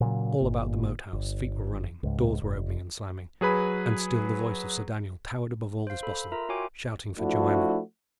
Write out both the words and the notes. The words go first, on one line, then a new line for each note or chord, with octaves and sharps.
All about the Moat House feet were running, doors were opening and slamming, and still the voice of Sir Daniel towered above all this bustle, shouting for "Joanna."
A#2 C#3 F#3
G1 A#2
G1
C#2 G#2
F1
F#3 G#4 B4 B5
C5 F5
A4 B5
F4 A#4 E5 A#5
F4 F#4 C#5 G5 G#5 D6
F3 A3 D4 E4 F#4